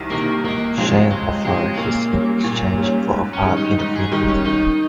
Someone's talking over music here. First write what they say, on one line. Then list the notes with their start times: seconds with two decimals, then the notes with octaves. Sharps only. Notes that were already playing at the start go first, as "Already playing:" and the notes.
Shane offered his in exchange for a part in the film.
Already playing: C2 C3 D#3
0.10 C3 D#3 A#3
0.44 C#2 A#3
0.77 C#3 F3 G#3 C4 G4
1.11 C#2 G#3
1.45 C#3 F3 G#3 C4 G4
1.77 A#2 A#3
2.11 G3 C#4
2.44 A#2
2.78 G3 C#4
3.11 G#2
3.33 C#4
3.45 D#3 G3
3.57 D#4
3.79 G#2 D#4
3.96 G#4
4.12 D#3 G3 D#4
4.28 C#4
4.45 D#3 D#4